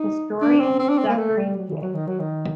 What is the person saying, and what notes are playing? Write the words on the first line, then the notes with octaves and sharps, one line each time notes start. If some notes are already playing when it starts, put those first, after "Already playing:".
Historian Zachary J.
Already playing: D#4
D4
C4
C4
D4
C4
A#3
A3
G3
F#3
D#3
F#3
D#3
F#3
D#3